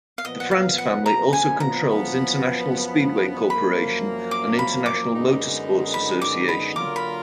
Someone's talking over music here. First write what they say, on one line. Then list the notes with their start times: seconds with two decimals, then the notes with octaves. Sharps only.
The France family also controls International Speedway Corporation and International Motor Sports Association.
0.18 F5
0.24 A#2 F3 B3 D#5
0.40 F#5
0.51 F5
0.78 F#5
1.06 A#5
1.33 G#5
1.60 A#5
1.87 F#2 F3 B3
3.50 F#2 F3 A#3 B5
4.31 D6
4.59 B5
4.86 D6
5.13 F#2 D3 G#3 B3 D#4
5.94 B5
6.22 D6
6.49 B5
6.76 D3 F#3 A#3 F4 A#4 D6
6.96 B5